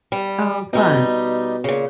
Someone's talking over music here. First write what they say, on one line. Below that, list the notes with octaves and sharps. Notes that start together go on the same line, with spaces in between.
Oh, fun.
G3
B2 G3 D#4
A#2 C#3